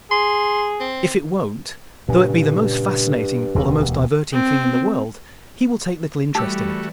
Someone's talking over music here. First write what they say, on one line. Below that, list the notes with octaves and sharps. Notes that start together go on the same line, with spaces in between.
If it won't, though it be the most fascinating or the most diverting thing in the world, he will take little interest in it.
G#4 C6
C4
G2 A#2 C#3
E1 D2 B2
C4
E3 G3 A3 F#4 G4 A5 E6